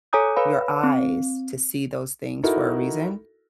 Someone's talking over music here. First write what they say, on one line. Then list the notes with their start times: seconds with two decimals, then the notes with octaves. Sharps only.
your eyes to see those things for a reason,
0.13 A4 C#5 G#5 A#5 D#6 G6
0.36 B4 C#5 F5 B5
0.84 C4
2.43 D#4 E4 F#4 A4 A#4